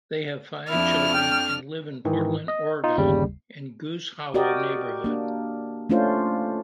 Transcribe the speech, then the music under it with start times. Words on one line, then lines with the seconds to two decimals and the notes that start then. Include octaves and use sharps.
They have five children, and live in Portland, Oregon in the Goose Hollow neighborhood.
0.70 F2 F3 D4 E4 F6
1.14 G5
2.05 G#2 D#3 E3
2.48 D#5
2.84 D#4 F4
2.98 G1 D#2 C#3 G3
4.34 F#4 G4 A#4 D5 D#5
5.04 A#3 D4
5.89 A3 C#4 D4 F4 C5